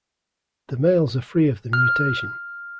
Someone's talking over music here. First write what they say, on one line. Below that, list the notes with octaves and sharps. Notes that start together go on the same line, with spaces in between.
The males are free of the mutation.
F6